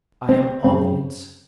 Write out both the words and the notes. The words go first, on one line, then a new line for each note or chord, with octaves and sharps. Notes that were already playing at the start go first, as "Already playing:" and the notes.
I am of it.
C4
F#2 C#3 C4